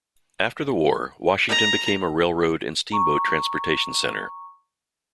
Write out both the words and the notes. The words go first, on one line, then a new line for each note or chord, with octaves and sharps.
After the war, Washington became a railroad and steamboat transportation center.
A#5
A#5 C#6